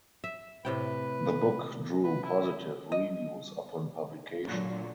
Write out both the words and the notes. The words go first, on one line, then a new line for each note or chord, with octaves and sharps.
The book drew positive reviews upon publication.
E5
A2 C3 B4 G5
B4
E4
D#5
A#2 D3 F#3